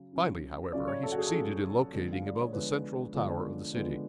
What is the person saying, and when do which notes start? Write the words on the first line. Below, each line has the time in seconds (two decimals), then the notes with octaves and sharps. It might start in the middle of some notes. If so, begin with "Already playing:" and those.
Finally, however, he succeeded in locating above the central tower of the city.
Already playing: C#3 F#3
0.13 C#3 F#3 C#4 F4
0.72 C#3 F#3 C#4 F4 D5
0.88 C#5
1.03 A4
1.12 F#4
1.18 G#4
1.27 A4
1.33 C#3 F#3 C#4 F4 G#4
1.93 D3 F3 G#3 B3 D4
2.13 F5
2.26 D5
2.40 C#5
2.53 D3 F3 G#3 B3 D4 B4
3.13 D3 F3 G#3 B3 D4
3.73 D3 F3 G#3 B3 D4